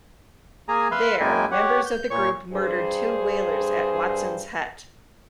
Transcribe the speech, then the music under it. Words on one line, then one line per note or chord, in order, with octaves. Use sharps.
There, members of the group murdered two whalers at Watsons hut.
A#3 G#4 G#5 A#5
B4 E5 F5 B5 C6
F#2 G#3 A#3 E4 G5 G#5
G4 C#5 F#5
G6
A#2 C#5 C#6
G2 G#4 C5